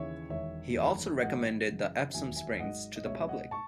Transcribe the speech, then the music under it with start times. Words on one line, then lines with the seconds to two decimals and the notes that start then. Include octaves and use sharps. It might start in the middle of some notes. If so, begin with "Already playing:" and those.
He also recommended the Epsom springs to the public.
Already playing: D#2 C#3 E3 C#5 E5
0.29 E1 E2 D#3 C#5 E5
0.75 F#1 E2 D#3 A3
1.22 A1 G#2 F#3 A3 D#5 F#5
1.67 F#2 C#3 E3
2.13 E1 D#2 D#3 F#3 E5 G#5
2.36 E5 G#5
2.59 G#1 G#2 F#3 D#5 F#5
2.96 D#5
3.05 C#2 B2 G#3 C#5 E5
3.29 D#5 F#5
3.51 A5 C#6